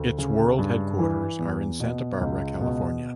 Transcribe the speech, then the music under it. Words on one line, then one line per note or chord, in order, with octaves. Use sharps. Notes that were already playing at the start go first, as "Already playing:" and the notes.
Its world headquarters are in Santa Barbara, California.
Already playing: D2
C#3
G2
E3
E2
B2
C#2
B2